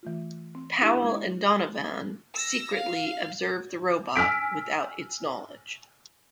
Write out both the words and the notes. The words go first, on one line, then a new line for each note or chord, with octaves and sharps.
Powell and Donovan secretly observe the robot without its knowledge.
E3 A3 F4
C4
D4 E4 G4
G#3 G#6
E6 A#6
F5
G#5 E6 F6 B6 D7